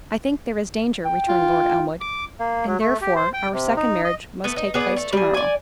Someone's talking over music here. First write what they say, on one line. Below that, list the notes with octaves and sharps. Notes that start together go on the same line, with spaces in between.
"I think there is danger," returned Lord Elmwood, "and therefore our second marriage must take place to-morrow."
G5
F4
D6
A#3
F#3
A3
G4
C5
G5
C3
D#4
D#5
A3 B3
D#4
B3 G#4 D5
A3
G3 G#4
D5 G#5